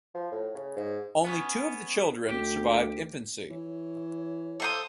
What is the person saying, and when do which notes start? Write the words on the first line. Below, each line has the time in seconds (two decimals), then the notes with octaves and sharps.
Only two of the children survived infancy.
0.14 F3
0.32 A2
0.55 C#3
0.77 G#2
1.25 B3 C#4
2.29 D2 G4
3.50 E3 C#5
4.60 A4 C5 F5 D#6